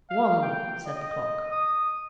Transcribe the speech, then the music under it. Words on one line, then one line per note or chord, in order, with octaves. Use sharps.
"One!" said the clock.
F5
G5
D#5
D#6